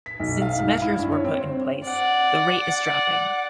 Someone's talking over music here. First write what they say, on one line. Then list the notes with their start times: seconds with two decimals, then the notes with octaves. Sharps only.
Since measures were put in place the rate is dropping.
0.06 B6
0.20 B1
0.42 F5
0.59 G#2
0.70 F5
0.82 E4
0.99 G2
1.12 C#5
1.24 C4
1.41 C5
1.84 D5 F#5